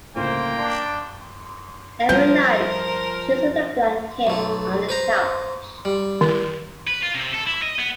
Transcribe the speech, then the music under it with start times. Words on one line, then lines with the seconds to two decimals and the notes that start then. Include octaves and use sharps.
Every night, she is with a blanket on the couch.
0.16 G1 C#2 A2 A#3 C5 G5
0.57 D4 F5 C6 C7
2.09 F3 G3 F4 A#4 C5 G6
4.27 B1 A3
4.89 B4 C5 A#5
5.85 G3
6.21 D#3
6.87 B4
7.02 F4
7.14 C3
7.33 A4
7.47 E4
7.62 D#5
7.79 B3